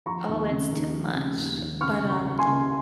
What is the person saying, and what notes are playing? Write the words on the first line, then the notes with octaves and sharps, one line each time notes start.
Oh, it's too much. But, um,
F3 A#5 C#6
D#2
C#3
D#2
F3
C#3
D#2
D#2
C#3 C#6 F6
C#2
A#5 C#6
C#2
G#5 C6
C#2